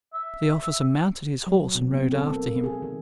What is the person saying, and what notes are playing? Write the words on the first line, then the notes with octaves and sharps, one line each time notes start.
The officer mounted his horse and rode after him.
E5
F#3
B2
C4
A4
A#3
G#4
D#3